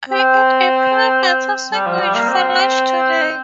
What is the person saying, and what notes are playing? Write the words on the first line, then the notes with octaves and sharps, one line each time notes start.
I ate a peanut butter sandwich for lunch today.
C4
G3
F3
G3
A#3
C4